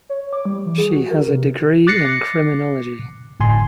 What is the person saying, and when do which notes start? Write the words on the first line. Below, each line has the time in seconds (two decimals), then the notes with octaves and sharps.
She has a degree in criminology.
0.09 C#5
0.33 D6
0.45 G3
0.66 E3
0.78 G#4
0.91 F#4
1.11 A#4
1.28 C3
1.87 D6 F#6 A6 A#6 C7 C#7
3.40 G1 A2 G#5 C6